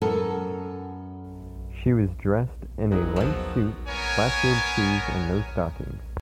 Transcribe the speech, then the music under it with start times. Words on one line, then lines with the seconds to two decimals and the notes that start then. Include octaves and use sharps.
She was dressed in a light suit, flat-heeled shoes and no stockings.
0.02 F#2 B3 A4 A#4
2.92 G1 F#3 D#4 G#4 A#4
3.16 D#2 F3 B3
3.87 B3 A#4 C#5 G#5